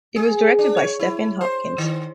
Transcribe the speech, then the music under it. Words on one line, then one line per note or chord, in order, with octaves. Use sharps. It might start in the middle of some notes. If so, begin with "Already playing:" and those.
It was directed by Stephen Hopkins.
G#4
D4
C#5
E4
C5
D#3